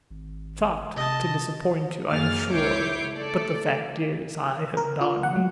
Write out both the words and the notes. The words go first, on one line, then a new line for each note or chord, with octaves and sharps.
"Shocked to disappoint you, I am sure; but the fact is, I have done."
G#1
C3 D#5 A5
F#2 A#3 G#4 F6 A6
C#2 E4 C#5 D6 G6 C7
A3 A4 D5
A#4
F4
F#5
F#3